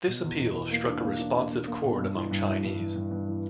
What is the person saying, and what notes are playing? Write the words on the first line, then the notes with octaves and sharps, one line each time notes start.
This appeal struck a responsive chord among Chinese.
B2
E2
B2
E2
A#3
D4
A#3
D4
D4
A#3
A#3
B2
G2
E3
G2
E3
G2
E3
G2
G2
E3